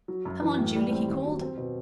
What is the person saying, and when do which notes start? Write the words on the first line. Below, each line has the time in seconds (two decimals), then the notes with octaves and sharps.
"Come on, Julie," he called.
0.08 F#3
0.25 F#2
0.41 E3
0.58 A2
0.75 G3
0.91 C4
1.08 D#2
1.24 F#3
1.41 C4
1.57 B2